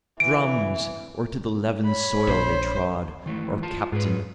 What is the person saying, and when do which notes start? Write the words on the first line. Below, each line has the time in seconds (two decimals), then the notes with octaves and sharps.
Drums! or To the Leaven'd Soil they Trod, Or Captain!
0.20 E3 D7
1.86 C#5 B5
2.27 A#1 C5
3.26 D#3 E3 A3
3.63 F4 A5
3.92 G#2 F4 G#4 B4